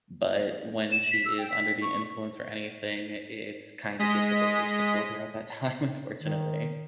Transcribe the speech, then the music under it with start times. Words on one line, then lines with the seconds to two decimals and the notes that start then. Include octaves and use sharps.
but when she is under the influence or anything, i it's kinda difficult to support her at that time, unfortunately.
0.92 E7
1.11 B6
1.26 E6
1.38 G5
1.51 B6
1.82 C#6
3.99 G#3 D#5 B6
6.21 D#3